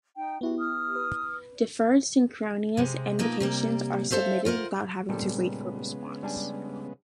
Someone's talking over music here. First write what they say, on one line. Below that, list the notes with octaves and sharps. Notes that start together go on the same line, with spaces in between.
Deferred synchronous invocations are submitted without having to wait for a response.
D#4 G5
B3 E4 F#4 G4
D#6 F6
B4
C3 G#3
B2 A#3 D#4 F4
C3 G3 A#3
A4 C5 E5 F5
F4 A#4 C5 F#5
A#2 C#3 G3 G#3 B3 A4
G3 D4 G#5